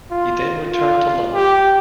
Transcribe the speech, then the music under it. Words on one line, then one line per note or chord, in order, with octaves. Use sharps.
He then returned to London.
F4
F4
G4